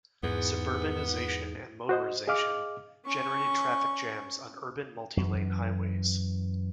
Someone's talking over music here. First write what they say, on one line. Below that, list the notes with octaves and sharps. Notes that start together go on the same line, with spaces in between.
Suburbanization and motorization generated traffic jams on urban multi-lane highways.
E2 G#2 B3
F#4 C5 D#5
G#4 D#5 F5 D6 F6
C#4 C#6
F#2 E3